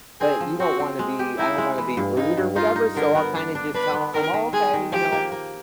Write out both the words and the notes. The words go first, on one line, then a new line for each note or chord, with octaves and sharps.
but you don't wanna be I don't wanna be rude or whatever, so I'll kinda just tell 'em, "Oh, okay," you know,
C4 G#4
F3
C4 F#4
C4
G#3
G4
D#4 E4
G#3
E3
G2
G2 D#4
G2
D#4 F4
D#4
D3 A#4
B3
D4
D4
D4 B4
B3
D#3 A#4
D#3
G#3 G#4
D#3
F3 G4
A#3
A#3